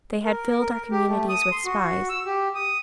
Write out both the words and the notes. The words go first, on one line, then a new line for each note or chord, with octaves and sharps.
They had filled our communities with spies.
A#4
A#4
G4
A3
D#6
C6
F#4
E6
G4
D#6